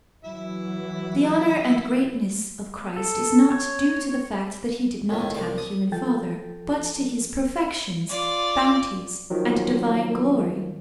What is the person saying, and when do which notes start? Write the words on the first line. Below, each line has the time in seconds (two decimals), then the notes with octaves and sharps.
The honor and greatness of Christ is not due to the fact that He did not have a human father, but to His perfections, bounties and divine glory.
0.25 E3 F#3 E4 E5
2.96 A4
3.50 C#5
5.09 F2 A2 D#3 C#4
5.34 C2 C5 D5
5.58 D#6
5.92 F3 A4 G5 A6
8.08 F4 D5
9.30 D#3 F3 F#3